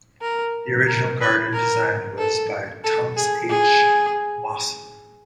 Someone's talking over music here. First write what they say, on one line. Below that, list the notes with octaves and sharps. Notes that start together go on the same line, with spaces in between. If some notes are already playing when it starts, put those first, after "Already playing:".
The original garden design was by Thomas h. Mawson.
A#4
A#4
B4
A#4
A4
A4
G#4
G#4